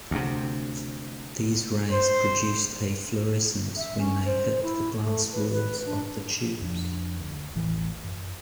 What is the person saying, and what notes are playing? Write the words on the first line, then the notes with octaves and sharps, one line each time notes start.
These rays produced a fluorescence when they hit the glass walls of the tubes.
D2 C3
C5
E5
C#4
C5
E4
A3
B4
B4
D4
F2 F3 D4
D2
E1 A1 A2 E3
F#2